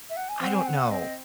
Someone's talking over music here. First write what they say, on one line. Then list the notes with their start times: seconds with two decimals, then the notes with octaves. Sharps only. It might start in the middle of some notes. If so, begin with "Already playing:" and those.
I don't know.
0.09 E5
0.16 F#5
0.28 G#5
0.41 C4 F#5
0.53 G#5
0.66 F#5
0.90 C4 D#5